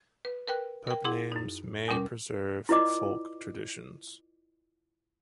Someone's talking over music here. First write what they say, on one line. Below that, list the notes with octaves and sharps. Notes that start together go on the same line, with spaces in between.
Pub names may preserve folk traditions.
B4
A#4 B4 G5 F#6
A#4 G5
E4 G#4 F#5 C6 D6
F#2 D#4
E2 B2 G3 C#4 A#4 D6
E4 F4 B4 D5 D#5 D6